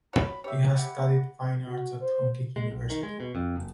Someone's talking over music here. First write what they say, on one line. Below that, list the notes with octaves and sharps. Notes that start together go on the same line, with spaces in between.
He has studied fine arts at Hongik University.
F#4 C#5 B5
G4 C#5 E5
F#5 B5
F#4
C5
G#3
B1
D#3
G#3
B2
F2
F#1